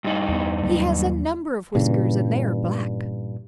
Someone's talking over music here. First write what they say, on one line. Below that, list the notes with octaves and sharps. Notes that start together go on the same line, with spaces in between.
He has a number of whiskers and they are black.
G2 D#4
E2 B3
D#2 F#3 A#3
G2 A#2 C#3 E3